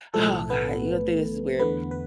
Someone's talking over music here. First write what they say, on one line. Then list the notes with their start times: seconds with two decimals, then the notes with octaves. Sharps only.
Oh god. You gonna think this is weird,
0.14 B1 A2 F3 A3 A4
0.50 B3 B4
1.59 E2 D3 A3 B3 B4
1.91 B4